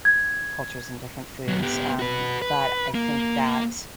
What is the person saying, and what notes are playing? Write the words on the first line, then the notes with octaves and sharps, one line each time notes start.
cultures and different foods, um, but I think that
G#6
D#2 F#3
B3 G4
F#4 B4
B4
A#3